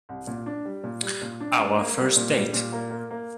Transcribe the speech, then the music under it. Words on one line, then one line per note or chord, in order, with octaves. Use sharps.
Our First Date.
C2
A#2
D4
G3
A#2
G3
A#2
D4
D4
A#3
G3
A#2
G3
A#2
A#3
A#3
A#3